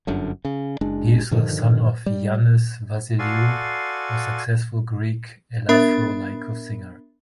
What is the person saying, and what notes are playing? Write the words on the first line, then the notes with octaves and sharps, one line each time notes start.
He is the son of Yiannis Vasileiou, a successful Greek elafro-laiko singer.
G1 F#2 D3
C#3
F#1 G#3 D4
G2 D3 D#3 F3
G3
F#4 A4 D5 F5 G#5 C6
B3 D4 A#4 E5 B5 A6